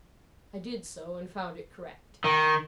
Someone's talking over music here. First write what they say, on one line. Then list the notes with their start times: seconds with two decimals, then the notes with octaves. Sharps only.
I did so and found it correct.
2.24 D#3